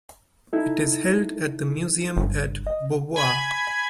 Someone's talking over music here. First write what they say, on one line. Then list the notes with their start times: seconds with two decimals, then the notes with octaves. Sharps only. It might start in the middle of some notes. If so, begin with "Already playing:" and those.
It is held at the museum at Beauvoir.
0.53 D#4 E4 A4
2.17 G1
2.67 D#5
3.16 G#5 B5 G#6